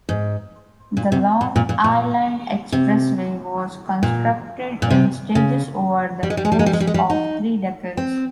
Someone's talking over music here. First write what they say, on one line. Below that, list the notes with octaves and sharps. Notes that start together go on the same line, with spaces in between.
The Long Island Expressway was constructed in stages over the course of three decades.
G#2
A#2
C3
A#2
A#2
A#2
A#2
C3
A#2
A#2
C3
C#3
G3
G#3
G3
G#3
G3
G#3
G3
G#3
G3
G#3
G3
D#4
C4